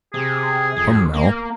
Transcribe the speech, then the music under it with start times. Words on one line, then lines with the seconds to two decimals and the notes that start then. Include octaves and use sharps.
Come, now!
0.14 C3 G#4
0.77 F2
1.14 A#3